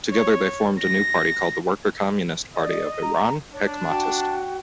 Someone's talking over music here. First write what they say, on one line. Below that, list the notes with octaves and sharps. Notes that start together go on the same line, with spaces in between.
Together they formed a new party called the Worker-Communist Party of Iran-Hekmatist.
C#5
A#6
D5 D#5
A#5
D4 C#5
F#4 G5 A5